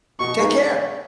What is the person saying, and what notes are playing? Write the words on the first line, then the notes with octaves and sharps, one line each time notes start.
take care.
B2 C#6
G#3 D#4 G#4 B4